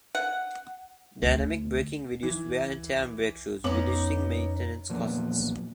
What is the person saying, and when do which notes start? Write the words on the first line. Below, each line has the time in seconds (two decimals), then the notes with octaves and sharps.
Dynamic braking reduced wear and tear on brake shoes, reducing maintenance costs.
0.15 F#5
1.22 D2
2.23 E3
3.64 F2 B3 C#4 D#4 D6 F#7
4.89 E2 A#2 F3 F#3 A#3 B3